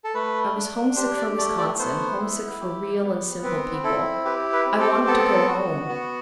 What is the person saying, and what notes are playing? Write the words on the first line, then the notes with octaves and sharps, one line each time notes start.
I was homesick for Wisconsin, homesick for real and simple people. I wanted to go home!
A4
A3 B4
D4
G4 C5
D5
A3 D5
D5
B3 C5
E4
G4
B3
C4 B4
E4 A4
G4 B4
B4
C4
A4
B3 A4
F#4
B3